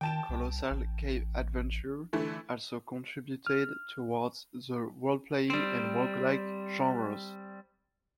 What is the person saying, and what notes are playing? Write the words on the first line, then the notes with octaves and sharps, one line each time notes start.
"Colossal Cave Adventure" also contributed towards the role playing and roguelike genres.
D#3 G5 A5 E7
C2
A1
D3 E3 A3
F6
G3 C4